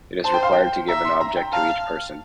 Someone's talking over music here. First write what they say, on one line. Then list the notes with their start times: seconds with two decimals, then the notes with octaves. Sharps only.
It is required to give an object to each person.
0.24 C5 A5
0.34 G5
0.43 F5
0.53 G5
0.88 E5 A#5
1.05 C6
1.21 A#5
1.36 G5
1.53 F5 A5